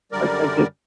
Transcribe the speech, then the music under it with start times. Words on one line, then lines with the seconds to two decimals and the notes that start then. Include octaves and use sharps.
like, I can
0.12 F#2 D3 G3 A#4 D5